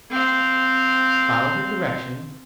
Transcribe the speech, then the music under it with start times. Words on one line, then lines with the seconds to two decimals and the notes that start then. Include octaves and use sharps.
Follow her directions.
0.11 C4 F5